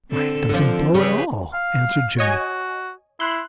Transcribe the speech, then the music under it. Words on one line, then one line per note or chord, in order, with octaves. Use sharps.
"Why, it doesn't blow at all," answered Jimmie.
D3 C4 A4
D3 F3 C4
C#3 G4 G#4 B4
F5
F#4 C#5 D#5 G#5
E4 C6 F#6